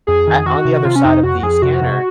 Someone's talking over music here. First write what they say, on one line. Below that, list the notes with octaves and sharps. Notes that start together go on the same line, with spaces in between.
at on the other side of the scanner,
F2 G#4
D#3
D#3 F#4
C3
C3 F4
C#4
F2 D#4
F2 F#4
F2 G#4
C3 F#4
C3